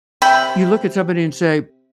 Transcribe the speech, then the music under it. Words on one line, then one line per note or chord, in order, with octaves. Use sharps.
you look at somebody and say,
C3 E5 G5 B5